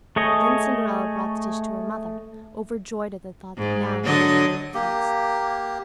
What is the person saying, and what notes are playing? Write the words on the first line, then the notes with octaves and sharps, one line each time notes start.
Then Cinderella brought the dish to her mother, overjoyed at the thought that now she should go to the feast.
A3 G#4 C#5 D#5
G#2
D3 F#3 D#5
A#3 G4